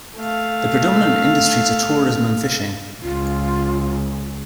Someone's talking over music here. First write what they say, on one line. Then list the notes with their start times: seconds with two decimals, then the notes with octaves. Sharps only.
The predominant industries are tourism and fishing.
0.16 A3 F5
3.02 C#2 F4